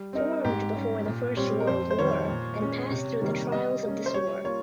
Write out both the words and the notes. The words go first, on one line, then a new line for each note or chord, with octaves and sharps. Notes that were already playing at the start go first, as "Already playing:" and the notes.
Formed before the First World War and passed through the trials of this war.
Already playing: G3
C4 D#4 A#4
G#2 G4
G3 C#4
A#2
G3 C4 G4 C5 C#5
A#4
F2 C5
C5
D#3 G3 C#5
A#2
G#3 C#4
C3
D#3 G3 A#3
G3 D#5
A#3 C#4
C5
G3 C#5
A#3 F4 C#5